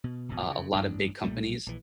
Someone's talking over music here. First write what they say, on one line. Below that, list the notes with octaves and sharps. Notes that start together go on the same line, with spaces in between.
uh, a lotta big companies,
B2
D1 G#1 F2 B2
C#3
A1 G2 D4
B1 A#2 G3 A3
A#1 E3